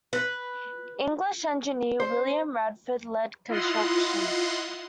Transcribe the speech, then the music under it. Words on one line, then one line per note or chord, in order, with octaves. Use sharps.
English engineer William Radford led construction.
B4
C5
E4 F4 D#5 F#5 C6